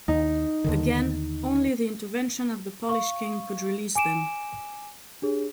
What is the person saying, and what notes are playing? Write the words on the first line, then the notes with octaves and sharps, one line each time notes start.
Again, only the intervention of the Polish King could released them.
D#2 D#4
D#2 D3 D#3
F5 C#6
G#5 D6 D7 E7
D4 G4 G#4 C#5